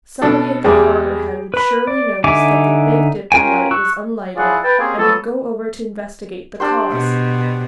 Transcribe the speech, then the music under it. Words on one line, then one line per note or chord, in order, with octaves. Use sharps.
Somebody at the Harbour Head would surely notice that the Big Dipper light was unlighted and would go over to investigate the cause.
B2 D4 A4
E2 G3 G#3 G4 G#4
B4 B5
D5
D3 D#4 E5 G#5 D6
C#4 F4 A#4 G5 G#5
C#6 E6 F#6
F3 E4 F4 G#4 D5 F#5
B4 G5 A5
A#3 C4 C#4 G4 G#4
F3 F#3 B3 A4
D4 G4 C5
B2